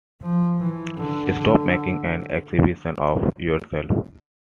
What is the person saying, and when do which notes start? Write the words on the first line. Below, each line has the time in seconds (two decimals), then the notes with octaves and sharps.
Stop making an exhibition of yourself!
0.22 F3
0.60 E3
0.97 D3
1.35 D3